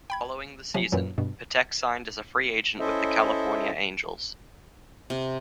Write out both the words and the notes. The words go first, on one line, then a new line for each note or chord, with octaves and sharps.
Following the season, Patek signed as a free agent with the California Angels.
G5 B5 G#6
C3 F3 F#3 G#5
F#2 A#2 E3 F#3
G2 B2
C#4 E4 A4 C5 D#5 E5
C3